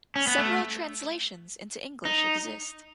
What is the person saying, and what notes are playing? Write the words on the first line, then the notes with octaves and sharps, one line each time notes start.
Several translations into English exist.
C#4
B3
A3
D#4